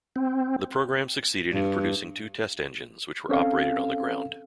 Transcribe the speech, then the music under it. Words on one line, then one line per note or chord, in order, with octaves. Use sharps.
The program succeeded in producing two test engines, which were operated on the ground.
C4
G2
C4 C#4 A4 F5